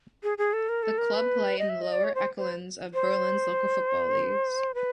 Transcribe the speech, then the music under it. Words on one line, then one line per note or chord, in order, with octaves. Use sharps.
The club play in the lower echelons of Berlin's local football leagues.
G#4
G#4
A4
A#4
A4
A#4
B4
D#5
E5
D#5
D5
C#5
C5
C5
C5
B4